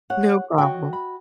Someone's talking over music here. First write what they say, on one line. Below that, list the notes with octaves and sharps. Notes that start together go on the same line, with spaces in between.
No problem.
C#5 F#5
F#4 C#5 D#5 G5
B5